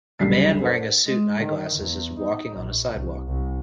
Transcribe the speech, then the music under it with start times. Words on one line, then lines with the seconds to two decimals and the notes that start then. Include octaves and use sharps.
A man wearing a suit and eyeglasses is walking on a sidewalk.
0.19 F#1 D2 G3 B6 C7
0.61 D4 A4 A#4 C5 D5 F#5
1.06 G#3
1.40 D#3
1.75 E2
2.18 D#4
2.57 A#1
2.92 C2
3.27 C2